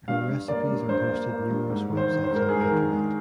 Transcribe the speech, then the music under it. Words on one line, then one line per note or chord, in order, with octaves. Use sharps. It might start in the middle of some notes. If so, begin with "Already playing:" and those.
Her recipes are hosted numerous websites on the internet.
G2 F5
G2
A#3 D5
G2
G2 C5
A#3
A#3
G2
G#2
D#3
C5
D#3
C5
G#2
A#4
G#2 G#4
A#4
D#3
G#3